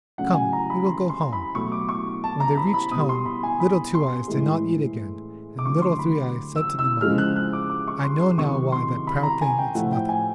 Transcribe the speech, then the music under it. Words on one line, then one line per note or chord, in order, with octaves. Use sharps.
Come, we will go home.' When they reached home, Little Two-eyes did not eat again, and Little Three-eyes said to the mother, 'I know now why that proud thing eats nothing.
C#3 F#3 A3 F#5
G#5
A#5
B5
C6
C6
B5
B2 F#3 A3 C#6
D6
C#6
A5
A#5
B5
B5
B2 G3 D#6
C6
B5
G#5
B5
C6
A2 E3 G#3
D6
D3 F#3 A3 C#6
C6
B5
E6
E6
C#3 F3 G#3 F6
F#6
F#6
D6
D6
C#6
C6
C6
C3 D#3 F#3 C#6
C6
B5
A#5
G#5
G5
A2 F3 A3 F#5
G5
G#5